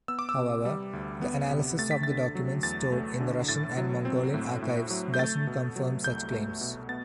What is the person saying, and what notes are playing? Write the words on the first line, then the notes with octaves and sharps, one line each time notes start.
However, the analysis of the documents stored in the Russian and Mongolian archives doesn’t confirm such claims.
B3 E6
D6
E6
C3
G3
D2
B3
C3
A3 A6
B6
D3 A6
F#3
E2 A6
A3
D3
A2 A6
F#3
C4
A2
A2
F#3
G6
A3 A6
B2
F#3
C2 G6
A3
B2
B3 A6